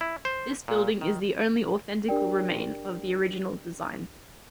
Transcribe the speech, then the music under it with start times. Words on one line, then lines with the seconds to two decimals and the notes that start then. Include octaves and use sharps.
This building is the only authentical remain of the original design.
0.01 E4
0.25 C5
0.68 A#2
1.01 D#3
2.08 D4 G4 A#4 D5 G5